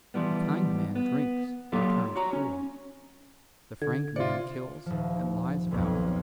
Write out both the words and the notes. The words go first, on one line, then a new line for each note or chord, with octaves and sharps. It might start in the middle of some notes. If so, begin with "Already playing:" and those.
The kind man drinks and turns cruel; the frank man kills and lies about it.
E3 F3 G3 B3
B3
F#3 A#3 F4 G4 A4
F#4 C#5 A#5
C#4
D3 G#6
C3 F4 C5 D5 E5 F5 C#7
D#1 F3
B1 F2